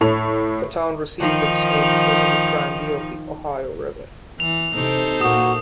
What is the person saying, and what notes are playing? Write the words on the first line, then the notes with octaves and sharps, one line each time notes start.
The town received its name because of the "grand view" of the Ohio River.
A2 A4 C#5 F7
D#3 F3 D#4
E3 F7
C3 D#4 A4 C5
A#2 A#3 F#4 D#6